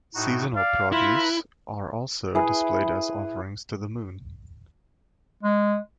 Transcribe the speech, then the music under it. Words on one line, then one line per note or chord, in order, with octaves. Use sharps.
Seasonal produce are also displayed as offerings to the moon.
A2 D#4 F#4
D5 F5
E4 F4 B4 A#5 B5
E4 G#4 B4
G#3